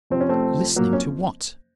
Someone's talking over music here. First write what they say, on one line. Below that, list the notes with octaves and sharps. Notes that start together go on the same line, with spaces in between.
Listening to what?
F2 C3 F3 C4
C#4
A3 C4
F#3 A#3
C#4